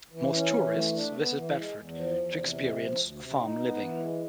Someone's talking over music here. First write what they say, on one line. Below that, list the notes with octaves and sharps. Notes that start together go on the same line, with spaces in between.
Most tourists visit Bedford to experience farm living.
E3
C#4
E3
A3
D4
B3
E3
G#3
E2
F3
E2
C3
G#3
F3
D2
C3
D#4
B3
E3
G#3